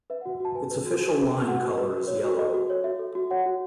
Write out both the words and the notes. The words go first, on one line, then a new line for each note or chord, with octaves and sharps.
Its official line color is yellow.
B4 E5
F#5
F#4
F#4 A5
B4 G#5
B4
F#4
F#4
B4
B4
F#4 F#5
F#4
D#5
B4
F#4
C#5
F#4
A4 D#5
F#4
C#5
F#4 E5
A4
F#4
C#5 F#5
F#4